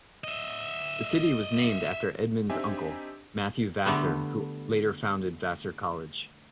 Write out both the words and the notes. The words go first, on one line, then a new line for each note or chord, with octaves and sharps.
The city was named after Edmund's uncle, Matthew Vassar, who later founded Vassar College.
D#5 E5
C4 D4 D#4 G4 E5 G#5
D3 G3 A3 B3